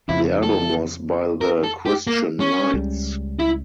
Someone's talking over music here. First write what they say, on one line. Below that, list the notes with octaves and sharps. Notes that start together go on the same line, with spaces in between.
The album was by the Christian Lights.
F2 C#3 F3 E4
A4
A#4
A4
G4
A#3
C#4
C#2 C#3 G3
E4